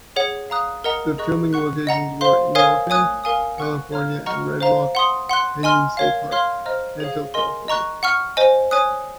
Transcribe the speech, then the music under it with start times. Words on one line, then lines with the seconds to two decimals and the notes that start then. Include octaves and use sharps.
The filming locations were Inyokern, California and Red Rock Canyon State Park, Cantil, California.
0.16 G#4 C#5 F#5
0.50 F5 A#5 D#6 F#6
0.84 A#4 D#5 F#5 A#5 D#6
1.18 G#4 D#5 A#5 C#6 F#6
1.53 F#5 C#6 F#6
1.87 D#5 F#5 A#5
2.21 C5 F5 C6
2.55 A#4 C#5 F5 G#5 D#6
2.90 C#5 G#5 D#6 F#6
3.24 A#4 F5 G#5 D#6
3.58 F#5 C#6 F#6
3.92 C#5 F5 A#5 F6
4.26 D#5 F#5 A#5 C#6 F6
4.61 C5 F5 A#5
4.95 F#5 C6 D#6
5.30 F#5 C6 F#6
5.63 D#5 G#5 C6 F6
5.97 A#4 C#5 F5
6.31 C#5 F5 C6 F6
6.65 C5 D#5 A#5 F6
7.00 G#4 C#5 F5
7.34 A#4 D#5 G#5 C6
7.68 D#5 A#5 C#6 F#6
8.03 F#5 C#6 F6
8.37 C5 D#5 G#5
8.71 C#5 G#5 D#6 F#6